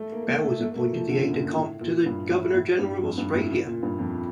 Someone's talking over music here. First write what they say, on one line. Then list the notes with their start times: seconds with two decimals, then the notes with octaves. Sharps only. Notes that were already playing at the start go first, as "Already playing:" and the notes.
Bell was appointed the aide-de-camp to the Governor-General of Australia.
Already playing: A3
0.12 A#3
0.23 A#3
0.28 A3
0.44 A3
0.61 A3
0.71 A#3
0.76 A3
0.93 F3
1.09 D3
1.21 A#2
1.27 C#3
1.33 A#2
1.45 A#2
1.57 A2
1.81 A#2
2.06 G2
2.30 A2
2.54 A2
2.78 G2
3.02 F2
3.18 G2
3.34 A2
3.51 C#3
3.67 A#2
3.83 G2
3.98 F2